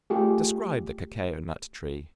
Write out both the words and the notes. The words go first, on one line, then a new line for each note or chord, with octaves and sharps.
Describe the Cacao-nut Tree.
A3 F4 G4 G#4